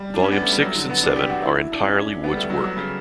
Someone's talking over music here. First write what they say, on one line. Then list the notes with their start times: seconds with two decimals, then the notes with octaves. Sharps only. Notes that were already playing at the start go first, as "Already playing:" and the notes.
Volume Six and Seven are entirely Wood's work.
Already playing: G3
0.14 D4
0.23 C#4
0.32 B3
0.43 A3
0.52 G3
0.62 F#3
0.76 D3
0.90 B3
1.03 D4
1.16 G4
1.30 F#4
1.43 E4
1.72 D4
1.83 C#4
2.24 B3
2.32 G3
2.37 A3
2.50 F#3
2.64 F#3
2.77 C#3